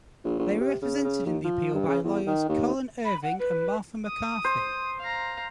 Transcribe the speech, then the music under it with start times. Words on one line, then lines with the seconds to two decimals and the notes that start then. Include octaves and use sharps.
They were represented in the appeal by lawyers Colin Irving and Martha McCarthy.
0.24 A#1
0.39 A#1
0.60 C3
0.82 C#3
1.04 C#3
1.26 D#2
1.44 F3
1.74 G2
1.88 C#3
2.04 E2
2.27 D#3
2.48 D#2
3.05 B5
3.22 F#5
3.39 B4
4.06 D#6
4.44 C5
5.00 F5 A#5